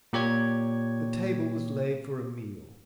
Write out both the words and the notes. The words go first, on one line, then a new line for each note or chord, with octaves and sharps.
The table was laid for a meal.
A#2 G4 C#5 G#6